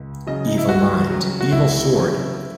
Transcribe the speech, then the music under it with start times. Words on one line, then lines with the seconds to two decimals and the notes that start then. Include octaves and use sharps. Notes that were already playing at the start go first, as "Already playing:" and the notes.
Evil mind, evil sword.
Already playing: C#2
0.27 C#3 F#3 D#5
0.47 D#4
0.58 E4
0.69 C#2 F#4
1.10 C#3 F#3
1.41 F#4
1.52 C#2 E4
1.94 C#3 F#3